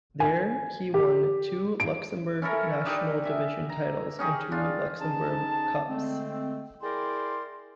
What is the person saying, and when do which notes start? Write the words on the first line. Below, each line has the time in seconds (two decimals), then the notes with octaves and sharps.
There he won two Luxembourg National Division titles and two Luxembourg Cups.
0.20 G#5
0.94 G4
1.80 D7
2.42 C#4 E4 A4 A#4
2.85 D4 D#4 G4
3.24 E5 G#5
3.69 A#5
4.19 C#4 D#4 G4 G#4
4.52 D4 F4
5.00 C#4 D#4 G#4 A5
5.87 D3 G#3 A3 C4
6.81 E4 G#4 A#4 D5 G5 C6